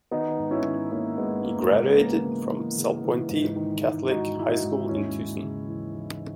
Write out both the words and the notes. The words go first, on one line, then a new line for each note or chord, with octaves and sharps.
He graduated from Salpointe Catholic High School in Tucson.
D#3 B3 D#4
G#2
C#4 E4
D#3
D#3 A#3 C#4
G#2 G#3 B3
G#2 A#3
C#3 G#3 B3
E3 A#3 C#4
C#3
E3
C#3
E3
G#2
D#3
G#2
G#2 D#4 F#4
G#2 E4
D#4 F#4
G#2
D#2 C#4 E4
D#2
C#3
E3
E3